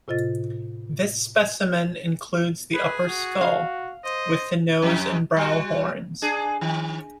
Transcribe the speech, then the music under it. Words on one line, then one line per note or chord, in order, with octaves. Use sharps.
This specimen includes the upper skull, with the nose and brow horns.
A2 C3 F4 D#5 A6
G#4 B4
F#4
F5
C5 D#5
F2 G4
G3 F#4
D4 G#4
D#3